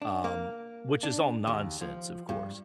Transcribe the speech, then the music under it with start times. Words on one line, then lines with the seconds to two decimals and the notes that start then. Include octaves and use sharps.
um, which is all nonsense, of course.
0.02 D4
0.24 A#3
1.03 D4
1.47 D#2
1.81 F3
2.29 G2